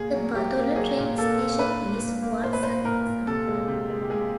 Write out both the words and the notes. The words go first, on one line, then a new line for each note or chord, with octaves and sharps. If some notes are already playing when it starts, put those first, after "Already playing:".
The Badulla train station is one such example.
Already playing: A#2 G#4
F#3
F#3 G4
A#3
F#3 G#4
A#2
A#3 A4
A#3
D4 B4
D4
A#2
A#3
A#2 C5
B4
A#2 C5
A#2 A#4
A#2
C3 A4
G#3
C3
G#3
G4
G#3 G#4